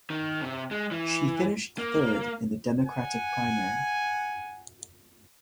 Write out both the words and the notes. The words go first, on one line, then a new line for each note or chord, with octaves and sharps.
She finished third in the Democratic primary.
D#3
C3
G#3
E3
A#3
F#5 G#5